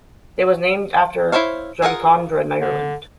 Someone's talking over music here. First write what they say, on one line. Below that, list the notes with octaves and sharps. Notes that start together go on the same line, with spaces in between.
It was named after Drumcondra in Ireland.
E4 F4 C5 C#5 F5
F4 G#4 A#4 F#5
D3